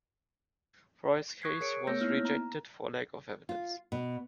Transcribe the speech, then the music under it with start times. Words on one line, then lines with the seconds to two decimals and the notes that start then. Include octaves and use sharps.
Floris's case was rejected for lack of evidence.
1.42 C#6 D#6 F#6 G#6 B6 C7
1.61 G#4 A#4 C#5 C#7 D7
1.87 A3 B3 C#5 E6 G6 A#6
2.01 A#3 B3 D#4 E4 F6
2.25 A#5
3.49 F4
3.92 B2